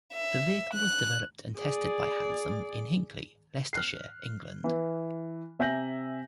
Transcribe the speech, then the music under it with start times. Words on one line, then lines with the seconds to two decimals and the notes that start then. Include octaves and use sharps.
The vehicle was developed and tested by Hansom in Hinckley, Leicestershire, England.
0.13 E5
0.73 F#6
1.58 G#4 D5
3.73 F6 F#6 C7
4.64 E3
5.59 C3 E5 G#5 G6 A#6 F#7